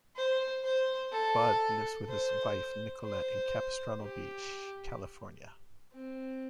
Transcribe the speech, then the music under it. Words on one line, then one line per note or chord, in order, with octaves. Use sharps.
Budde lives with his wife Nicolette in Capistrano Beach, California.
C5
C5
A4
C5
C5
G4
C4